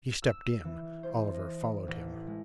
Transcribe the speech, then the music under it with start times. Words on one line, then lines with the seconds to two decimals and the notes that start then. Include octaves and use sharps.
He stepped in; Oliver followed him.
0.22 E6
0.65 E3
1.03 C5
1.34 D#5
1.88 A1
2.27 G#3